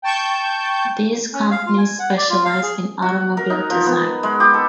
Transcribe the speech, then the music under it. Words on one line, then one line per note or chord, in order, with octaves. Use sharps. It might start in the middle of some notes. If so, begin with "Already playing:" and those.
These companies specialize in automobile design.
G5 A5 C#6 G6
C#4
F5
F4
G#5
F#5
D5
F4
F5
G#4
F#4
A#4
D#4
F3
B3
G#3
G4
A4